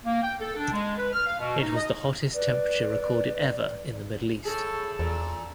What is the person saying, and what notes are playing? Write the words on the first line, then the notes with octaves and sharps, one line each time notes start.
It was the hottest temperature recorded ever in the Middle East.
A#3
G5
A4
D4
G#3
B4
F6
F5
B2
D#4
D#5
B4 D5
A2 G#4 A4
E2 A#2